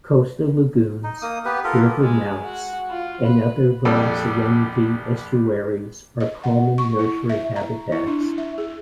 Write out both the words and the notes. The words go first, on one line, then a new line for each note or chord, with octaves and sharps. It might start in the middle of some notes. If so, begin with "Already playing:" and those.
Coastal lagoons, river mouths, and other low-salinity estuaries are common nursery habitats.
D#4
A#3 D#6
B3 G4 B4
F4 A4 A#4
G#3
F#4
F4
B4
A#1 F2 G3 A4 D5
D#5
F#5
C#6
E4
E5
A#5
E4
D4
E4
E5
G#4